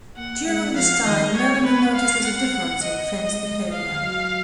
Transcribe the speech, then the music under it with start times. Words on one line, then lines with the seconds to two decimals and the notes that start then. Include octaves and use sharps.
During this time, Melanie notices a difference in Finn's behaviour.
0.17 A#3 F#5
0.46 G#3 F#5
0.76 F3 F5
1.05 D#3 D#5
1.36 A#3 C#5
1.65 B3 B4
1.95 F5
2.24 F#5
2.84 D#5
3.14 G#3
3.73 F5
4.02 F#3